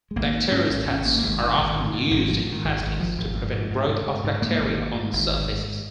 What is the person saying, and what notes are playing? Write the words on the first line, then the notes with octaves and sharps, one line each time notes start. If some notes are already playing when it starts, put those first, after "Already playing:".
Bacteriostats are often used in plastics to prevent growth of bacteria on surfaces.
G#3
G#1 A#3
G#2
G#2 C#4
G#1
G#1 C#4
G#1 A#3
A#3
G#1 G#3
G#2 D#3
G#1 D#3
G#2
G#2
G#1 D#3
G#2 F3
G#2
D#3
G#1
D#3
G#1
G#1 F3
G#1
G#2
G#2
G#2
G#2
G#2
G#2
G#2 A#3
G#1
G#2
G#2
G#1
G#1
G#2